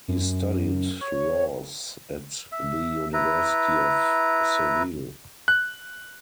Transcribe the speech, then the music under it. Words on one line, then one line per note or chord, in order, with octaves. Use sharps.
He studied Laws at the University of Seville.
F#2
C#5
E5
E4 B4 A#5
F#6